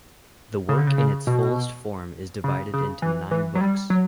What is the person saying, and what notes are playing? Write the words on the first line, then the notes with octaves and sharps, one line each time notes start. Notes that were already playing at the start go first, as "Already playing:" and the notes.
The work in its fullest form is divided into nine books.
C#3
D3
C#3
C#3
B2
C#3
C#3
E3
E3
F#3
G3
F#3